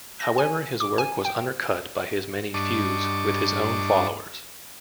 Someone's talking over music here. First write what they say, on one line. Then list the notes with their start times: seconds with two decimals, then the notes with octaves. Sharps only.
However his work was undercut by his many feuds with his own followers.
0.20 A#6
0.38 G#5
0.80 D6
0.98 G#5
1.25 G5
2.54 G2 D4 D#5 A5 C#6 D6